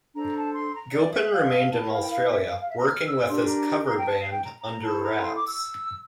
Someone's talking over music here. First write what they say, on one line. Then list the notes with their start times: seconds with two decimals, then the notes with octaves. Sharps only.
Gilpin remained in Australia, working with his cover band Under Rapz.
0.15 D4 A4 C5 A#5
0.36 A5
0.54 C6
0.74 A#5
0.93 D5
1.13 E5
1.32 F5
1.52 F5
1.72 E4 A#4 A5
1.91 F5
2.02 G5
2.10 F5
2.30 E5
2.49 F5
2.60 F5
2.69 E5
2.78 A#5
2.88 F6
3.07 E6
3.27 D4 G4 A#4 C6
3.47 A#5
3.88 F5
3.97 G5
4.05 A5
4.19 F5
4.31 G5
4.44 A#5
4.64 A#5
4.83 E4 A4 C5 A5
5.02 A#5
5.22 C6
5.36 D6
5.47 E6